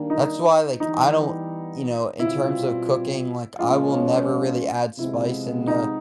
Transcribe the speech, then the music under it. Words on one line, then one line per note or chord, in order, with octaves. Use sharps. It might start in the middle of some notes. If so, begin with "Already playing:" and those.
that's why like, I don't, you know, in terms of cooking, like, I will never really add spice in the
Already playing: D#3 G3 A#3 D4
D#4
E3 G3 B3 D#4
B2 G3 C4 E4 F4
A#2 F3 G#3 C#4 F4
C3 F3 G#3 B3 E4
D#4